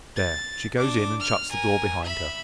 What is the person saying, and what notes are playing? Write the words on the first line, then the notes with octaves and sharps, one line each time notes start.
There she goes in, and shuts the door behind her!
A6
D4 D6
F6
A#4 G#5
E5 B5